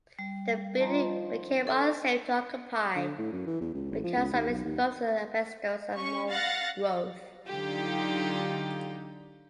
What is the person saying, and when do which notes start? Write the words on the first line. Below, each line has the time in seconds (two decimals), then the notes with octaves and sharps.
The building became unsafe to occupy because of exposed asbestos and mold growth.
0.19 G3
0.77 D#3 F3
1.67 A4 C#5 E5 F5
2.96 D3
3.19 A2
3.33 F#2
3.47 E3
3.61 E2
3.74 C#2
3.91 A1
4.03 F3
4.16 C#2
4.33 D#2
4.48 B1
4.64 D#2
5.96 C#4 C#6
6.28 F5 F#5 A6 A#6
7.47 D3 F#3 D#4 F4 G4